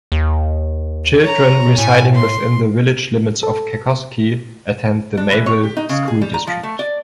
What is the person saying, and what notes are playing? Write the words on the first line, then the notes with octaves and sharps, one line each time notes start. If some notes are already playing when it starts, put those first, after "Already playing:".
Children residing within the village limits of Kekoskee attend the Mayville School District.
D#2
C#5 A#5
A2 G#5
C6
A4
D4
E3
C#5
G4
D#4
C#3
G#4
G3
A#5
F3
A3
D5